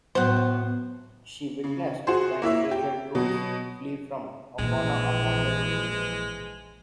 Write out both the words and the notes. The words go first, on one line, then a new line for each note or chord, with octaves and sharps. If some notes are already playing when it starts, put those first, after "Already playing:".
She witnessed the imperial troops flee from Aucona upon their defeat.
A2 F#3 B3 C5 F#5
C#3
F#4 G#4 C5
A#3 E4 C#5 E5
G4
B2 F#3
A#1 A#2 E3 F3 G#3